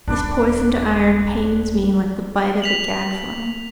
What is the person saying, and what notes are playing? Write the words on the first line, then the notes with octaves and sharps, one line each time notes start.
This poisoned iron pains me like the bite of a gad-fly.
D#1 C#4 D4 B4 D5
B6 F7 F#7